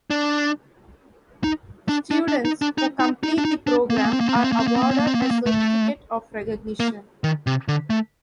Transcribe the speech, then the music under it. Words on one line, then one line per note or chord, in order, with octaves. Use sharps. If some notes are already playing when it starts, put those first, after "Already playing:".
Students who complete the program are awarded a certificate of recognition.
D4
D#4
D4
D4
D4
D#4
D4
D#4
D#4
D#4
D4
D#4
D4
A#3
C4
A#3
C4
A#3
C4
A#3
C4
A#3
C4
A#3
C4
A#3
C4
A#3
C4
A#3
C4
A#3
A3
A#3
D#3
C3
D3
A3